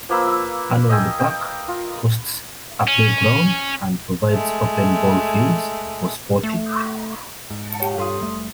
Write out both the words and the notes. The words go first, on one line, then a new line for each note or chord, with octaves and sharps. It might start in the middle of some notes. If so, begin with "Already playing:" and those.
Arnold Park hosts a playground and provides open ball fields for sporting.
F3 A#3 B4 E6
E5
D#5 E5 G5 G#5
G5
F4
C#4
G#3 A3
A3
G#2
G4 C#5
G2 A4 C6 D#6
F#1 G3 A3